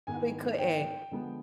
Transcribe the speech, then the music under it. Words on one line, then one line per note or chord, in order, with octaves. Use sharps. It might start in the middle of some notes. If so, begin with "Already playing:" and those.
probably couldn't.
G#2 D#3 G#3 B3 E4 G#5
G5
D3 F3 G#3 B3